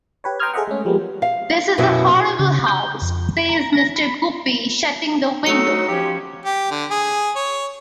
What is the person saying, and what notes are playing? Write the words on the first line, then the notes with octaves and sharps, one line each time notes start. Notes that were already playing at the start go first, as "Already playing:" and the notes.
"This is a horrible house," says Mr. Guppy, shutting the window.
G4 B4 C#5
G5 A#5 C6 D#6 F6 G#6
G#4 A4 C5 D#5 E5 F#5
G#3 A3 C#4
F3 G3 G#3 A#3 B3
F5
F#2 B2 B3 E4 F#4
C#3
G6
F2
A#5
A#6
B5
F#3 A3 D#4 C#7
F3 C#4 G4
G4
D3
G#4
C#5